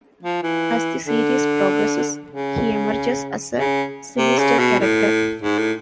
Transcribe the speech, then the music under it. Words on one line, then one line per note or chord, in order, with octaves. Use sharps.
As the series progresses he emerges as a sinister character.
F3
E3
D3
C#3
C#3
C3
C#3
B2
A2
G#2
A2